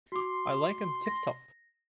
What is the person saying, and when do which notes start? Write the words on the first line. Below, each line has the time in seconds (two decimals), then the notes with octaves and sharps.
I like 'em tip-top.
0.12 F#4 C6 D6
1.06 A#6